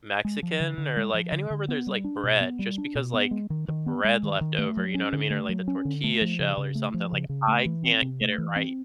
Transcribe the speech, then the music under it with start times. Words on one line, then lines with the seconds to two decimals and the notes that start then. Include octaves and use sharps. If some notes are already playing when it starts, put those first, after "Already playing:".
Mexican or, like, anywhere where there's, like, bread just because, like, the bread leftover, you know what I mean, or, like, the tortilla shell or something, like, I can't get it right.
0.25 G#3
0.43 F3
0.60 D3
0.78 D3
0.97 G#3
1.14 F3
1.32 D3
1.50 D3
1.68 B3
1.87 G3
2.04 D4
2.23 B2
2.41 B3
2.59 G3
2.78 D4
2.95 B2
3.14 B3
3.31 G#3
3.50 D#3
3.68 D#3
3.86 B3
4.04 G#3
4.23 D#3
4.41 D#3
4.58 A3
4.77 F#3
4.95 C#4
5.13 D3
5.30 A3
5.49 F#3
5.68 C#4
5.85 D3
6.04 A3
6.21 F3
6.39 C#3
6.57 C#3
6.75 A3
6.94 F3
7.12 C#3
7.29 C#3
7.48 A3
7.66 E3
7.84 C4
8.02 C3
8.21 A3
8.38 E3
8.56 C4